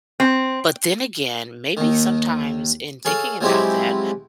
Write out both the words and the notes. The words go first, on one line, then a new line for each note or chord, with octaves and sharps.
but then again, maybe sometimes in thinking about that,
C4
D#2 D#3
G#4 A4 C#5 F5
F3 F#3 G#3 C4 E4 G4